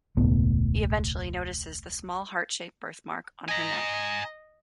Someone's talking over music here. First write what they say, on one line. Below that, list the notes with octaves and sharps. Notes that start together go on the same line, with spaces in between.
He eventually notices the small heart-shaped birthmark on her neck.
E1 C#2 A2 B3
D#5 G#5 A#5